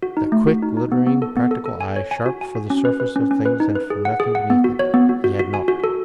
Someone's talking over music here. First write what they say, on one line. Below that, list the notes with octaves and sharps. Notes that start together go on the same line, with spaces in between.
That quick, glittering, practical eye, sharp for the surface of things and for nothing beneath it, he had not.
F#4
D#4
A3
F#4
D#4
D#4
B3
B3
A4
B3
A4
A4
G#5
C#5
G#5
F#4
G#5
F#4
C#4
B4
B4
C#4
C#4
B4
D#4
B4
G#4
F#5
G#4
F#5
B3
F#4
C#5
B3
F#4
F#4
F#4
G#5
F#4
A4